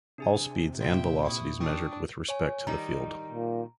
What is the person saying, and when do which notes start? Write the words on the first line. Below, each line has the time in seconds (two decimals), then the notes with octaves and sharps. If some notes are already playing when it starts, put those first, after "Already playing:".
All speeds and velocities measured with respect to the field.
0.18 C3 D4 G#4 G#5
0.80 A#2 A#3 E5 G5 C6
1.25 E4 C#6 D#6
1.60 D4 G5 C#6 D#6
2.29 C#5 G#5
2.67 D#3 G3 D#4 A#5
3.32 A#2